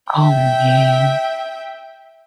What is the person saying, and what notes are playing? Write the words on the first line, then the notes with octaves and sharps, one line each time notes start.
Oh, man.
E5 G5